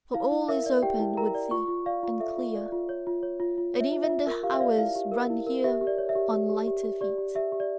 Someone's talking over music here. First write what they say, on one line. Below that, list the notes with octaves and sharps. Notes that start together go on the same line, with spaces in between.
For all is open with thee and clear; and even the hours run here on lighter feet.
E4 F5
E4
A#4 E5
D5
G4 G5
E4
A#4 A#5
D5
F4 C#6
F4
D5 F5
F4
A4 E5
F4
D5
F4
C#5
F4
C#5
F4
F4
C#5
E5
F4
E5
F4
A#4
G4 F5
E5
D5 F5
E4 F5
G4
A#4
E4
A#4
G4 E5
G4
D5
C#5
E5
G4
G4
G4
G4
G4
G4 D5
G4
G4 E5
G4
D5